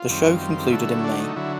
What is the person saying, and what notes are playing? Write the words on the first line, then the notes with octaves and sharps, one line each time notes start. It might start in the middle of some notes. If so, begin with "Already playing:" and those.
The show concluded in May.
Already playing: F4
F#2 D#3 G3 C4
D3 F#3 A3 E4
D4
D#4
D3 F#3 E4